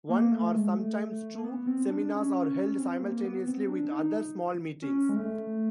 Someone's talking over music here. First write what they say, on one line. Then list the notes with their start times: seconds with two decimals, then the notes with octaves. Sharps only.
One or sometimes two seminars are held simultaneously with other small meetings.
0.09 A#3
0.32 A3
0.54 G#3
0.76 A3
1.38 A#3
1.44 B3
1.67 C4
1.89 D4
2.12 C#4
2.79 C4
3.02 A#3
3.18 A#3
3.25 B3
3.47 C4
3.69 D4
3.91 D#4
4.82 C#4
5.09 G#3
5.16 A3